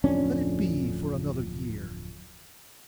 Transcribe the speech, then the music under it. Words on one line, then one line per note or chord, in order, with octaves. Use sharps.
Let it be for another year.
D1 F2 C#4 D4